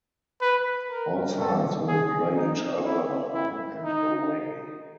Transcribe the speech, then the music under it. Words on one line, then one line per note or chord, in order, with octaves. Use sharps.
All sides will play each other home and away.
B4
A#4
A4
G#4
D#4
E4
E4
D#4